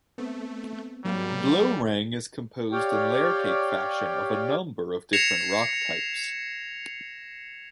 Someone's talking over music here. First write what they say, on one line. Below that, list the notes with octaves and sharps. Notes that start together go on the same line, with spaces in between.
Blorenge is composed in layer-cake fashion of a number of different rock types.
A3 B3 C4
G#2 F#3 G3 A#3
G4 C#5 D5 F5 G5
G#6 A#6 C7 C#7 E7 F7